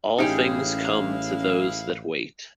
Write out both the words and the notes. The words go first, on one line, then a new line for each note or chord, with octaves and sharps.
All things come to those that wait.
A1 G#3 C#4 D#4 E4 G4 G#4 F5